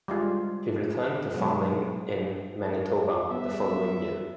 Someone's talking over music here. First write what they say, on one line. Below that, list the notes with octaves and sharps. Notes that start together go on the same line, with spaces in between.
He returned to farming in Manitoba the following year.
G3 G#3 F4
B2 F#3 G#3
G3 B3 E5